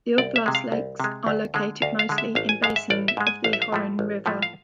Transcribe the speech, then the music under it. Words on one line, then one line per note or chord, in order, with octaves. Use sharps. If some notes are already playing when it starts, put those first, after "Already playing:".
The oblast's lakes are located mostly in basin of the Horyn River.
C2 D5
E5
C3 G#3
F5
C2
C3 G#3
D2
D3 G#3
D2 F5
F5
D3 G#3
E5
A1 F5
G#5
G#2 G#3 F5
E5
A1 D5
E5
G#2 G#3
G#5
A1 F5
E5
F5
A2 F3 A3
A1
A2 F3 A3
F5